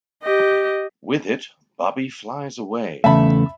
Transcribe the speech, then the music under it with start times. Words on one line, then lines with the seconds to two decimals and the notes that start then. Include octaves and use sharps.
With it, Bobby flies away.
0.23 G4 D#5
3.04 E2 C#3 A3 E5 A5 B5